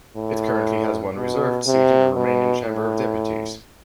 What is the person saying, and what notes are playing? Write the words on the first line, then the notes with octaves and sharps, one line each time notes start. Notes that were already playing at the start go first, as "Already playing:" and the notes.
It currently has one reserved seat in the Romanian Chamber of Deputies.
A2
B2
C3
B2
A2